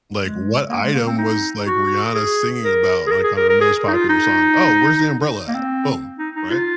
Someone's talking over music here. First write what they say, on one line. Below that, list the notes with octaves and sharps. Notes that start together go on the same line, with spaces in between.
Like, what item was, like, Rihanna singing about, like, on her most popular song? Oh, where's the umbrella at? Boom. Right?
G#3
A#3
G#3
A#3
C4
D#4
F#4
G#4
A#4
G#4
A#4
G#4
A#4
A#4
G#4
D#4
F4
D#4
A#3
C4
D#4
D#4
F4